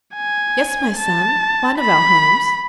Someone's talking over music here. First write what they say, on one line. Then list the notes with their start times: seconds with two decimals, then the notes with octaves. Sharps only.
"Yes, my son, one of our homes."
0.15 G#5
0.97 A5
1.79 B5